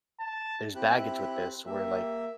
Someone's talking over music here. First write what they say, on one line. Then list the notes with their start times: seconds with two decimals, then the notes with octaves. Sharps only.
there's baggage with this where, like,
0.20 A5
0.75 C4 E4 G4 F#6
1.66 A#3 G4 E5